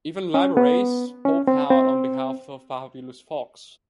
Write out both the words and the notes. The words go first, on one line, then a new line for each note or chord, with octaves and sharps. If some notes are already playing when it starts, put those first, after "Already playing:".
Even Liberace spoke out on behalf of the "Fabulous Fox".
C#4
B3
C#4
C4
C4